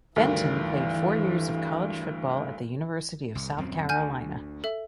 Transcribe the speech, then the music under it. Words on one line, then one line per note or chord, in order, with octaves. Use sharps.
Fenton played four years of college football at the University of South Carolina.
D2 G2 D#3 E3
C2
D#1 F#2 C4
D2 G#5 F6 G6
A4 E5